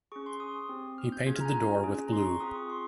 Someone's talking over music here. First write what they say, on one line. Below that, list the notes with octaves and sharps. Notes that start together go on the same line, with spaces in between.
He painted the door with blue.
C#4 G#4 C#6
C6
D#6
C4 G4
F6
G6
C#4 F4 G#4 G#6
F6
A#5
G#5
C#4 G#4
A#5
C6
C#6
C4 F4 G#4 D#6
C#6
C6